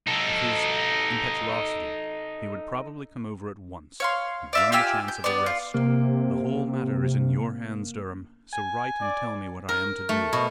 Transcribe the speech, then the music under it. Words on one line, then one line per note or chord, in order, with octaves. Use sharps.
With his impetuosity, he would probably come over at once, and run the chance of arrest. The whole matter is in your hands, Durham, so write and tell me what I am to do.
D#4 A4
C#5 F5 C6
D5 E5 F5
F4 G4 G#5 E6
G6
B3 D5
F4
C3 A#3
G#5
D5
A#4
A3
B2